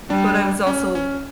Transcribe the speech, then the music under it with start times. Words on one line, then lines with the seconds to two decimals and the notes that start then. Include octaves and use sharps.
but I was also,
0.10 G3 D4
0.67 C#4
0.95 C#4